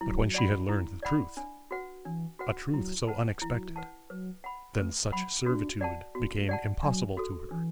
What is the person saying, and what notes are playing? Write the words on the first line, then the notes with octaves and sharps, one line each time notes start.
But when she had learned the truth,--a truth so unexpected,--then such servitude became impossible to her.
F#3 E4
D5 F#5 B5
E4
D5 F#5 B5
D4
F#4 B4 F#5
E3 D4
F#4 B4 F#5
F#3 E4
B4 F#5 A5
E3 E4
F#3
E3
B4 F#5 A5
F#3 B4
F#5 B5
A3 B4
F#3 F#5 B5
D4 F#4
D5 F#5 A5
B3 F#4
A3
D5 F#5 A5
F#3 D4
F#4 A4
E3 D4